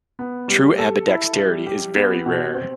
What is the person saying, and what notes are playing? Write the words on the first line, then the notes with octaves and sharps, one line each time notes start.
True ambidexterity is very rare.
B3
G3
A4
E4
G3
G4
B3
B2
C4